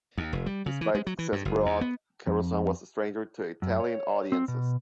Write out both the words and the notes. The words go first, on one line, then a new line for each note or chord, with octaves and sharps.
Despite his success abroad, Carosone was a stranger to Italian audiences.
D#2
F1
G3
C#3
E3
G#3
F#3
E3
G2
F#1
E2
B3
F2
F#2
C#5
C4
B2